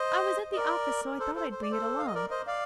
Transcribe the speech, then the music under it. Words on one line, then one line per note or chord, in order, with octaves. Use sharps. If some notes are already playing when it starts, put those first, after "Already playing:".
I was at the office, so I thought I'd bring it along.
Already playing: C5 D#5
D#5
A#4 D5
A4 C5
A4 C5
C5
D5
A4 C5
F5
D#5
A#4 D5
C5 D#5
D5 F5